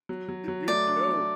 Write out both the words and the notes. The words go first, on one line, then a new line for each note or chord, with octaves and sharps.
you no,
F#3
F#3
F#3
A3 D5
D4
A3